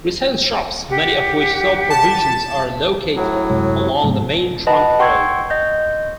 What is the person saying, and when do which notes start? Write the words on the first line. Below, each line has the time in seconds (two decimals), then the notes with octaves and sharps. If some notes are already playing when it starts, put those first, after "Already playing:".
Retail shops, many of which sell provisions, are located along the main trunk road.
0.90 G4 F#5
1.90 A5
3.15 A2 F#3
3.50 F#2 C3 G#3
4.04 G#2 C3 F3 B3
4.67 B4 D#5 F#5 A5 B5
4.99 F#5 G5 C6 C#6 E6 G#6
5.50 D#5 G6